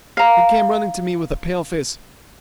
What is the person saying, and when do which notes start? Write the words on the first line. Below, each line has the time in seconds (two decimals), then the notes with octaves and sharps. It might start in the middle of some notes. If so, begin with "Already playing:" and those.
He came running to me with a pale face....
0.17 F5 A#5